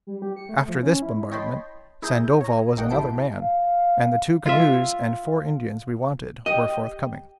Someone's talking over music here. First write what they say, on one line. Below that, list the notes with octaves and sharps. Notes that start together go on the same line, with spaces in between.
After this bombardment Sandoval was another man, and the two canoes and four Indians we wanted were forthcoming.
G3
G4
C#7
A3
F3
C#4
E4
C#5 D#5 G5 A5 B5 C6
E4 G#4 A#5 G6 E7
C#5 A#5
G#1 G#2 A#3 D#5 F#5 G5
C3 E4 G5 A5 C7 D7
F5
F4 E5
G4 D#5 G5